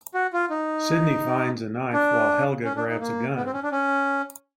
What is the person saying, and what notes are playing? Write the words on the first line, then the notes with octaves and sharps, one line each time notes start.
Sidney finds a knife while Helga grabs a gun.
F#4
F4
D#4
D4
C#4
D4
D#4
A#3
B3
C4
C#4
D4
C#4